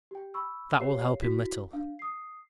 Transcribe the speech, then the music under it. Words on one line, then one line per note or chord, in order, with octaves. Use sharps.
That will help him little.
G4 G5
B5 C#6 E6
G4 C#5 F5 C7
E4 F#4 B6
D4 F5
D#6 C7